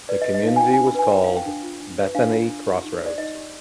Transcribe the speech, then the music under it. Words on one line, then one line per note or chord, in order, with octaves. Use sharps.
The community was called "Bethany Crossroads".
B4 D5
D#5
B4
D#5
D#4 F5
G#5
F4 G5
D4 G#5
B5
B4 G#5
D4 G5
F5
F4
G5
D4
F4
D4
B4
D4 F5
F4
D4
G4
D#4
C5
D5
D#4 D#5
G4